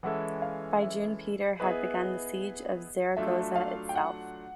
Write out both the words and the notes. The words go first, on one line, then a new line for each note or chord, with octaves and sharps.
By June Peter had begun the siege of Zaragoza itself.
E3 G#3 C#4 E4 A4 F#5
F5
E5
B3 E4 G#4 B4 D#5
F#3 A3 D4 F4 E5
F5
G5
F#5